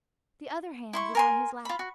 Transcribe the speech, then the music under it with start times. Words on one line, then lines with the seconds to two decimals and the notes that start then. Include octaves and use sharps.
The other hand was on his lap.
0.93 E4 C6 C#6
1.15 A#4 G#5 C6
1.65 F4 B5
1.79 F#4